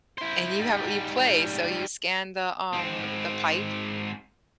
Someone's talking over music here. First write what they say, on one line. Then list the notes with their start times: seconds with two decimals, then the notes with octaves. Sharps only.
and you have you play, so you scan the, um, the pipe,
0.18 E4 C5
0.59 G#2 G3
2.73 G#2 C4